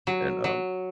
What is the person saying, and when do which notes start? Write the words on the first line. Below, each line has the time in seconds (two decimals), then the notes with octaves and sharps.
and, um,
0.07 F#3
0.44 F#3